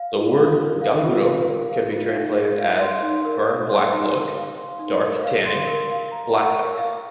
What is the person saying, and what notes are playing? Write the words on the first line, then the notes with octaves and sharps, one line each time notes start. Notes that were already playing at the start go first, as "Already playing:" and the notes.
The word "ganguro" can be translated as "burn-black look", "dark tanning", "black-face".
Already playing: F5
F4
F4
A#4
F5
F4
F4
A#4
F5
F4
D#4
A#4
F5
C6
D#4
A#4
F5
C6
D#4
A#4
F5
C6
D#4
A#4
F5
C6
A#4
F5
A#5
C#6
A#4
F5